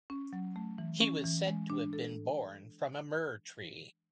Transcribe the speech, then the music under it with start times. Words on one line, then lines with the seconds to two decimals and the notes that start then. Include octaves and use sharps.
He was said to have been born from a myrrh-tree.
0.10 C#4
0.33 F#3
0.56 A3
0.78 E3
1.01 C#4
1.24 E3
1.47 G#3
1.70 D4
1.93 A4